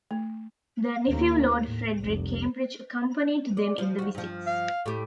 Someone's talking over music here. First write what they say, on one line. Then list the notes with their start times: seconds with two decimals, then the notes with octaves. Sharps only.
Their nephew Lord Frederick Cambridge accompanied them in the visits.
0.11 A3
1.09 D#2 A#3
1.63 A2
1.99 F1 C2
3.57 D5
3.78 F3
3.99 D#2 F#4
4.15 G2 F3
4.46 F5
4.86 A2 G4